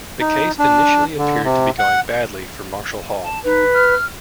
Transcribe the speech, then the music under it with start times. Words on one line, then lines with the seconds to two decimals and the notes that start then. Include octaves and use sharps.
The case initially appeared to be going badly for Marshall-Hall.
0.20 D#4
0.58 D4
1.18 D3
1.44 C3
1.79 F#5
3.22 A5
3.44 D#4 B4
3.73 F6